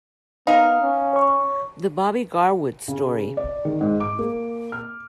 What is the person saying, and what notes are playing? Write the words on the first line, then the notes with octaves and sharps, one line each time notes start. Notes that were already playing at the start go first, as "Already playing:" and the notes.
The Bobby Garwood Story.
B3 D#4 A#4 F5
C#4
C#5 C#6
C#3
D5
D#3
G#2
D6
A#3
F6